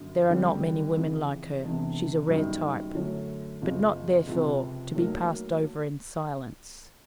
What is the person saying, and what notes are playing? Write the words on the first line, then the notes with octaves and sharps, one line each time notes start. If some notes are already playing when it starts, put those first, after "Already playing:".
There are not many women like her; she is a rare type--but not, therefore, to be passed over in silence.
Already playing: G1 F#2 D3
F2 D3 G3 B3
F2 C#3 E3
E1 E2 C3
F#1 F#2 D#3 G3 B3
F#2 D3 F#3 A3 C#4
F#1 F2 C#3 F3
C#2 C3 F3
B1 A2 F#3 A#3